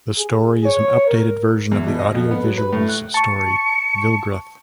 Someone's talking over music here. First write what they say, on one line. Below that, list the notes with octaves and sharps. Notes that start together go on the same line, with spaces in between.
The story is an updated version of the Audio Visuals story "Vilgreth".
G#4
C#5
A#4
E2
B2
D#5
F2
B3
F#3
B4
A2
F#6
A5 C#6 C#7